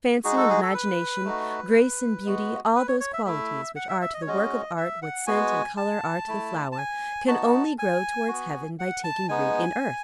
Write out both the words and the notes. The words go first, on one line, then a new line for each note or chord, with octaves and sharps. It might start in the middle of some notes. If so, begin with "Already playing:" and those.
Fancy and Imagination, Grace and Beauty, all those qualities which are to the work of Art what scent and colour are to the flower, can only grow towards heaven by taking root in earth.
G#3 D#4 F#4 G#4
A4
G#4
A4
B4
A3 D#4 F#4
G#3 B3 F#4
B4
C#5
C#5
E5
A3 E4 E5
F#5
E5
E5
D#5
C#5
G#3 C#4 F#4 D#5
E5
F#5
G#3 B3 F#4 G#5
A5
A3 E4
A5
G#5
B3 D#4 F#4 A5
G#5
B3 F#4
F#5
A5
G#3 B3 D#4 G#5